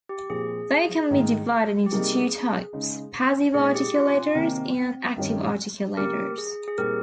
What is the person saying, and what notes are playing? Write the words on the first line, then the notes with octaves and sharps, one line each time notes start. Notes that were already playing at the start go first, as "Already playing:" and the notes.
They can be divided into two types: passive articulators and active articulators.
G4
A#2 F3 C4 G#4
G#2 D#3 A#3
G4
C3 G3 A#3 D#4 G#4
C#3 G#3 D#4
A#2 G#3 C4 D#4 G#4
G4
F4
C#4
C3 D#3 A#3 C4
G2 D#3 G3 C#4
C#3 G3 A#3 G4 A#4
G#4
G#4
A#2 G3 C4 D#4 G4 A#4